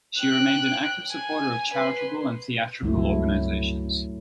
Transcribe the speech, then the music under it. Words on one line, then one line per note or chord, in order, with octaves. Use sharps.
She remained an active supporter of charitable and theatrical organizations.
G5 F#6
G#5
B4 C6
C#2 G2 F#3 A3 C4 E4